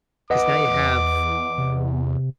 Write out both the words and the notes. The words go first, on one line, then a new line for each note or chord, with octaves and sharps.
'Cause now you have
E2 B4 D#5 F#5 D6
C3